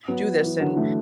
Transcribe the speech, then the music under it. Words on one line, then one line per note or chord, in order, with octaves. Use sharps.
do this and,
F#3 B3
E3
D3 F#3
E3 A3